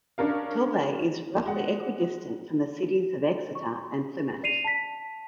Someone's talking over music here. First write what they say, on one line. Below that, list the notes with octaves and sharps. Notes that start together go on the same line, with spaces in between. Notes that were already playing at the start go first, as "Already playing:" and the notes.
Torbay is roughly equidistant from the cities of Exeter and Plymouth.
C#4 D4 A#4 F5
G#3 F#5
C#6
D5 C7 D#7 F7
A5 B6